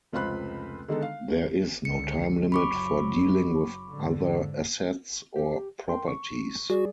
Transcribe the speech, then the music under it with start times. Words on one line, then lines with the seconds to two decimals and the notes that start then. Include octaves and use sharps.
There is no time limit for dealing with other assets or properties.
0.13 F1 C#2 F4 C5 B5 F#6
0.88 D3 D#3 G#3 B3 D#4 A4
1.02 F5
1.85 C#2 D3 C#7
2.52 F#1 F#3 B5 C#6 D6
3.90 G#2 D3
5.36 G4
5.88 A#4 G5 C6
6.08 C#6
6.70 G3 F#4 G#4 D5